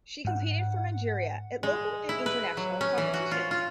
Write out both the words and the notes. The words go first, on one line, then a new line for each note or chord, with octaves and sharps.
She competed for Nigeria at local and international competitions.
G#2 F#5
G#3
E4
B4
F#3
C#4
E3
F#4
F4
F4